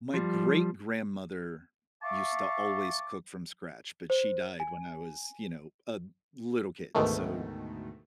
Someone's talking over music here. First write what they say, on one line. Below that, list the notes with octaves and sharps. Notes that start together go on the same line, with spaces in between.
my great grandmother used to always cook from scratch, but she died when I was, you know, a little kid, so,
F3 G3
E5 F5 A5 C#6 D6
C5
G#5
D2 G#2 B2 D#3 A3